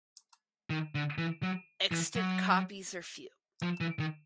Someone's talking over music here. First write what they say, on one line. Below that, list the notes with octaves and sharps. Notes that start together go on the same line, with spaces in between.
Extant copies are few.
D#3
D3
E3
F#3
E3
F#3
F3
E3
D#3